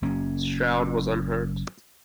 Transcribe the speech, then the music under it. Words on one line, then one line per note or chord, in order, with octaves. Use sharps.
Stroud was unhurt.
F#1 F#2 A#3 C#4